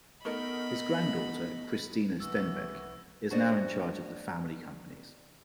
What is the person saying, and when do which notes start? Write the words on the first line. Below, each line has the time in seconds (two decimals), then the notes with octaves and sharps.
His granddaughter, Cristina Stenbeck is now in charge of the family companies.
0.25 A3 B3 D#4 A#4 D#5 B5
2.20 C2 E3 F#4 E6
3.30 D4 F#4 C5 D5 D#5